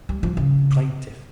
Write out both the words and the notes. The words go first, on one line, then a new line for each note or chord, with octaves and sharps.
The plaintiff.
G3
F3
C#3